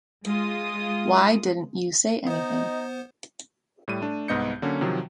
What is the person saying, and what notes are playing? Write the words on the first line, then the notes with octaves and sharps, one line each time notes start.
Why didn’t you say anything?
G#3 F4 D#6
B3 D#4 C5 D#5
A2 G3 D#7
A3 D4
C2 G#2 B3 D#5 G6 C#7
D3 F#3 A#3 C#4
C3 D#3 F3 F#3